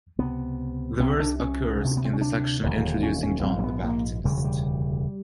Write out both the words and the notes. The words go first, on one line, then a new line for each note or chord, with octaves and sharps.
The verse occurs in the section introducing John the Baptist.
C#2 C3 B3
C2 C3 C4
D4
C#4
D2 C3
B3
C4
C#4
D4
E1 D#2 D3
C#4
C#4
A#1 G#2 C4
A#3
B3
A#3
E1 D2 C#3 G3
F#3
G3